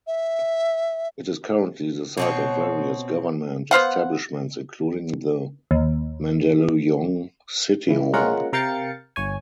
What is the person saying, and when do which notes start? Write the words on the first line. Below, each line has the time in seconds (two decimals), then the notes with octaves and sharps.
It is currently the site of various government establishments including the Mandaluyong City Hall.
0.07 E5
2.17 B2 C4 C#5
3.71 B3 C5 F5 F#5
5.71 D#2
7.89 C#3 E3
8.13 G#3 A#3 C#4 F4 A#4 F#5
8.53 C3 A#4 F5 G5 A6 C#7
9.16 G1 C#5 G#5